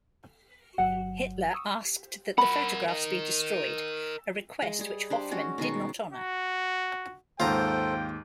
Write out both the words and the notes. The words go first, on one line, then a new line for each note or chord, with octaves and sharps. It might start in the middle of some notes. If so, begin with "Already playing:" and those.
Hitler asked that the photographs be destroyed, a request which Hoffmann did not honor.
G1 F#3 F#5
C#6 D#6 E6
A#4 F#5 B5
A#4 D#5
G#3
G3 G#4
D4 G4 C5
G#3 C#4 F#4
B2 D#3 G#3 C#6
F#4
D#2 G#2 F4 A4 C5 G5 A#5